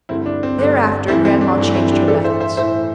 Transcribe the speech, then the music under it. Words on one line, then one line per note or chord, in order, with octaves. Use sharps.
Thereafter grandma changed her methods.
G2 D3 A3 C4 E4
D4
C4
G2 D3 A3 D4
G2 E3 A3 C4 E4
C4
D4
G2 E3 A3
C4 E4
D4 G4
A2 E3 A3 A4 D5
C5 E5
C5 E5
A2 E3 A3 C5 E5